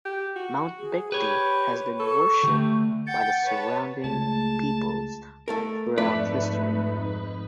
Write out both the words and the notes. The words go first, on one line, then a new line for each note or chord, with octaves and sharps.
Mount Baekdu has been worshipped by the surrounding peoples throughout history.
G4
F#4
G#4
G4 B4 C#5 B5
A4 C#6
D3 A3 G4
F#5 G5 G6 A6
B4 C#5 A5
C#2 A3 G#4 A5
A3 A4 A#4
F2 G#2 A3 D#4 B4 D5